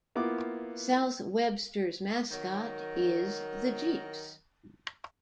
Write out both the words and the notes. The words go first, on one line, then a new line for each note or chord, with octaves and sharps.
South Webster's mascot is the Jeeps.
A#3 B3 E4 F4 D6
D#3 F#3 A#4